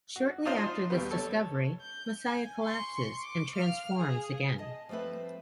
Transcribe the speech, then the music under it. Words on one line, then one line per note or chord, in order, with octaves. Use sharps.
Shortly after this discovery, Masaya collapses and transforms again.
F#4
D4 D#4 F4 C5
D#2 G3 B3
A4 C#5
G6
G#5
C6 C#6
D6
F5 F6
G#4
D#5 A5
F3 G3 A3 C4 B4